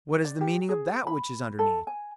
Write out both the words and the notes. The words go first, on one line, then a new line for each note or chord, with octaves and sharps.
What is the meaning of that which is underneath?
D5
G4
G#4
B5
A4
G#5